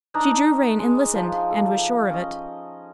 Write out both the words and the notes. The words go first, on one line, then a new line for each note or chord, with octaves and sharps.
She drew rein and listened, and was sure of it.
D4 D#4
G#3
F3
A4
C#4 D#5